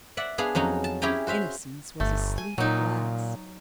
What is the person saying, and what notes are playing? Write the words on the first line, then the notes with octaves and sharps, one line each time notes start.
Innocence was asleep at last.
D5 E5 F#5
B3 D4 G#4 F5
F2 F#3 C#4 D#4
A5
C#4 E4 G4 G#4 G5 A#5
F#4 C5 E5 F5
G1 A3
G#5
A#2 F#3 D#4